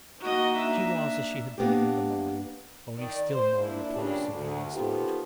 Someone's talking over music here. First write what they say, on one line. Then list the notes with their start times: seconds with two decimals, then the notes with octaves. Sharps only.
She was as she had been in the morning, only still more repulsive in this light.
0.20 A#3 D#4 F#4 D#5
0.55 D4 E5
1.58 A#3 B3 D4 G4
2.98 D#3 D5
3.30 C5
3.59 A#2 D4 E4
3.92 G2 A#2 C#3 G3 D4
4.33 D2
4.72 D#3 B3 C4 F4 G4 A4